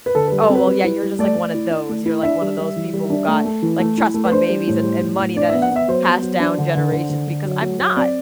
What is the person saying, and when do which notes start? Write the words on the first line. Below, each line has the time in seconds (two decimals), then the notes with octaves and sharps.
"Oh well, yeah, you're just like one of those, you're, like, one of those people who got, like trust fund babies and and money that has just been passed down generations.", because I'm not.
0.06 B4
0.15 D3 A4
0.28 B4
0.32 G3
0.41 A4
0.50 C4 B4
0.67 G3
0.84 E4
1.02 G3
1.19 A3 D5
1.36 A3
1.54 E4
1.71 E4
1.89 A3
2.06 E4
2.23 D4 E5
2.41 G3
2.58 G3
2.76 E3
2.93 G3
3.10 D4
3.28 A3
3.45 A3
3.62 E3
3.79 A3
3.98 E4
4.14 A3
4.25 B4
4.32 D4 C5
4.49 G3
4.67 A2
4.83 G3
5.01 A2
5.19 A2
5.36 D4 D5
5.49 E5
5.53 B3
5.62 F#5
5.71 B3
5.76 E5
5.88 F#3 C5
6.05 B3
6.22 F#3
6.40 D4
6.58 D3
6.75 D3
6.92 D3
7.10 D3
7.27 D3
7.45 F#3
7.62 F#3
7.79 F#3
7.96 C4 D5